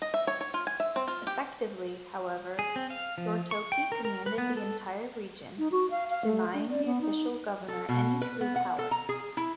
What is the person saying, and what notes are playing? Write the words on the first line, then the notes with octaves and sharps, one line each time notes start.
Effectively, however, Yoritoki commanded the entire region, denying the official Governor any true power.
D#5
E5
C#5
C#5
F4
G#5
E5
C4
F4
G4
G#4
C4
F5
F3
C#6
G5
A#4
A#4
B4
B3
A4
D#4
F#4
F5
F5
A3
D4
D5
B3
D#4
A4
B2
B4
B3
F#5
A4
A#5
G#4
E4